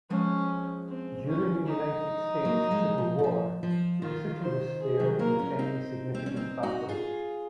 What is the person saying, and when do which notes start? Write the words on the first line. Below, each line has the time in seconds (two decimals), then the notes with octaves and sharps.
During the United States Civil War, the city was spared from any significant battle.
0.10 F3 G#3 C#4
0.88 C4
1.27 C#4
1.66 D#4
2.45 F#3 A#3
2.71 F3 G#3
2.98 F3
3.19 D#3
3.24 F3
3.63 F3
4.02 D#3 F4
4.41 C5
4.81 G#4
4.99 D#3 F#3
5.19 F#3 A#3 A#4
5.39 C#4 F4
5.59 C4 D#4
6.14 C4
6.26 C#4
6.36 C4 D#4
6.63 D#4 F#4
6.89 F4 G#4